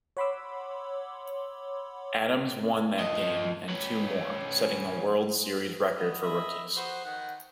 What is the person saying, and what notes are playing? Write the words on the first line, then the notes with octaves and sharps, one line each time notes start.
Adams won that game and two more, setting a World Series record for rookies.
C#5 F#5 B5 C6 D6 E6
F3 D#5
C#4 B4
B3 D#5
D#5 E5 B5
B3 F#4 C5
D#3 F#5